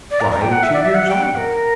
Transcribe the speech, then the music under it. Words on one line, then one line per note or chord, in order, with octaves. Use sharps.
"Why, two years old."
D5
A#5
A#5
G5
F#5
E5
D5
E5
F#5
G5
F#5
A#4